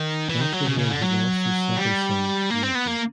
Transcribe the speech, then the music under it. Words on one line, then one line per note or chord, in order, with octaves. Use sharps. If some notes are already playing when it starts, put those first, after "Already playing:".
That was when he lost his second son Mekki.
Already playing: D#3
E3
D#3
F#3
C#3
C#3
D3
F#3
G3
A#3
C4
B3
A#3